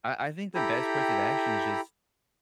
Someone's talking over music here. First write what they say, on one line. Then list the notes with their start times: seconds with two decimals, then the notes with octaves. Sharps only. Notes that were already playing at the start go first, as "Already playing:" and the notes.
I I think the best course of action is just
0.55 E4 G4 A4 G5 A#5 B5